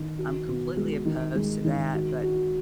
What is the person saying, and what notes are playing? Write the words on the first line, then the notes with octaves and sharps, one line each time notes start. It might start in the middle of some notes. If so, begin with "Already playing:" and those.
I'm completely opposed to that, but
Already playing: D#3
F#4
B2
G#3
D#3
G#3
D#3
F#4
F#4